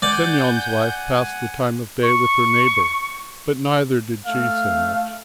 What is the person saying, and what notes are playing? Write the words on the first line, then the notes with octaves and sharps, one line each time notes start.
Semyon's wife passed the time of day with her neighbour, but neither did she say much.
D5 F#5 G#5 G6
C#6
A3 F5